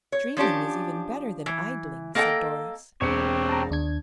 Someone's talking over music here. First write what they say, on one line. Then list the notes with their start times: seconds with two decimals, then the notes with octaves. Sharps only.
"Dreaming is even better than idling," said Doris.
0.12 C#5
0.37 F3 C#4 D4 G4
1.46 E3
2.15 A#3 A4 D#5 F#5 G5
3.01 E1 C4 G4 C#5 C#7
3.49 A5 A#5
3.70 D#2 D4 G#6